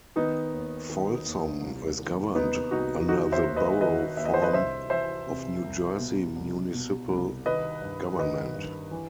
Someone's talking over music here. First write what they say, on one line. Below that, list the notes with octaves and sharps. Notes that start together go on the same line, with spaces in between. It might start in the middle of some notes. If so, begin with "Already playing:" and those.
Folsom is governed under the Borough form of New Jersey municipal government.
D#3 B3 D#4
D#2
D#3
D#2
C2
D#3
C3 B3 D#4
C2 D#4 F#4
D#3 D#4 F#4
C5 E5
D#2
B4 D#5
D#3 B4 D#5
D#2 E5
D#5
C5
B4 D#5
C2 C5 E5
E3 C5 E5
C3
C2
B2
C2
B2
C2
D#3 B4 D#5
G2
D#3 B4 D#5
G2
E3